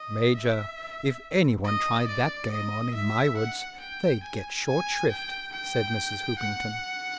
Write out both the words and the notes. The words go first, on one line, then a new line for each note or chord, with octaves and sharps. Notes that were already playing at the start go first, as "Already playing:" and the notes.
"Major, if any one tried that game on in my woods they'd get short shrift," said Mrs. Hoopington.
Already playing: D#5
E5
D#5
D5
D#5
E5
F#5
G5
G#5
G#5
G5
G5
F#5